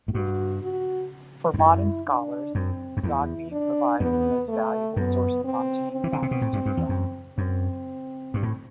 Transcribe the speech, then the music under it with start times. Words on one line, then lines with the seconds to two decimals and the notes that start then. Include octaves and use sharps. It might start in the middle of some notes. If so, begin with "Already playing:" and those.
For modern scholars, Zongmi provides the most valuable sources on Tang dynasty Zen.
0.08 A2
0.14 G2 F#4
0.63 F#4
1.54 E2
1.59 F#2 E4
2.07 D4
2.55 F#2 C4
2.97 F#2
3.03 E2 E4
3.52 D4
4.00 E2 B3
4.48 A3
4.96 F#2 B3
5.44 C4
5.93 C4
6.04 E3
6.13 D3
6.22 C3
6.31 B2
6.41 A2
6.53 G2
6.66 G2
6.77 E2
6.89 F#2
7.38 F#2 C4
8.34 G2
8.43 A2